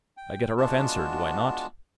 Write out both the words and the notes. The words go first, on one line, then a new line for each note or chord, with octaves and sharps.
I get a rough answer, do I not?
G5
G#3 B3 D4 F4 F#4 A5